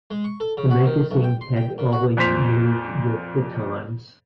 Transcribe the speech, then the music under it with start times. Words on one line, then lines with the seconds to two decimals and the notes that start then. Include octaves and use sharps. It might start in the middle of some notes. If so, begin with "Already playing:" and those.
The magazine had always moved with the times.
0.11 G#3
0.24 C#6
0.40 A4
0.57 C#3
0.70 F#4
0.86 D#3
1.11 B1
1.24 G5
1.41 C6
1.56 G5
1.78 A#2
1.92 F#4
2.17 F2 A#2 C5 B6 F7